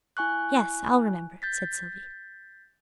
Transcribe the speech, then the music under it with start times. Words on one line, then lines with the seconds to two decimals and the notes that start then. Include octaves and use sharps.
"Yes, I'll remember," said Sylvie.
0.17 E4 G#5 C#6 F#6
1.42 G6 A6 B6